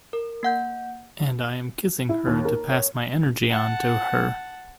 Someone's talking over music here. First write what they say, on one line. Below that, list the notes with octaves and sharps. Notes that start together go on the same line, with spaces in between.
And I am kissing her to pass my energy on to her.
A#4
A#3 F#5 G6
E4
D#2
A#4
C#5
F#5 A5